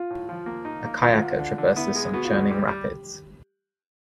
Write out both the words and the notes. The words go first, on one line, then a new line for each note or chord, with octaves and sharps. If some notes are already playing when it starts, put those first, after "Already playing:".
A kayaker traverses some churning rapids.
Already playing: F4
A2
F3
A#3
D#4
A#3
D2 F4
D2
D3
D3
B3 E4
G#3
B3 F#4
F4
G#3 F#4
G3 G4
G3